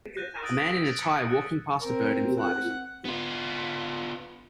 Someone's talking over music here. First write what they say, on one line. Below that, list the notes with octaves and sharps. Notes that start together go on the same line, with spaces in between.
A man in a tie walking past a bird in flight.
F#6 G6 A#6 D#7
D#6 E6 G6 A6 D7
A6 B6 D7
G#6 B6 C#7
F#6
C4 A#4
F#5
B3 F4